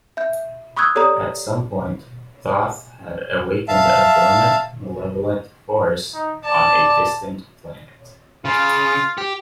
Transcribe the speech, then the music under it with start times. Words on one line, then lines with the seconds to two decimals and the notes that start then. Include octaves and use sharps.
At some point, Thoth had awakened a dormant, malevolent force on a distant planet.
0.17 E5 G6
0.77 B5 C#6 D#6 E6 F#6 G#6
0.95 G4 A4 C#5 D5 A#5 D#6
3.68 E5 F5 A5
6.14 D#4
6.44 D5 A5
8.45 C#3 F4
9.18 G4